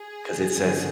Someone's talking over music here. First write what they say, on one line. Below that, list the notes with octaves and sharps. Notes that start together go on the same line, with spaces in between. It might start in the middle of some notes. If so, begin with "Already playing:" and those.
'cause it says,
Already playing: G#4
G2 D3